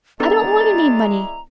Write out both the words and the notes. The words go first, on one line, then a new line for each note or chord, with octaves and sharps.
I don't want any money.
G#3 B3 D4 E4 A4 D5 A#5 A6